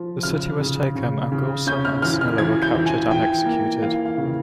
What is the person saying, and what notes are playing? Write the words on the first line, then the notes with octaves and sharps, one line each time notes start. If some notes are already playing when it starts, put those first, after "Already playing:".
The city was taken and Gaucelm and Sanila were captured and executed.
Already playing: F3
C#3 F6
C#3
C#3
C#3
C#4 G6
F6
E3 F6
F6
E3 G#6
G6
E3
G#5
E3 G5
A#3
E3 F5
F5
C#3